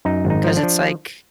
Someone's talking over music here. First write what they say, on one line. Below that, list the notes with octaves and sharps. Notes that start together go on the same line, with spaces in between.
'Cause it's like
F#2 D#4
G#1
D#4
F3
D4
F3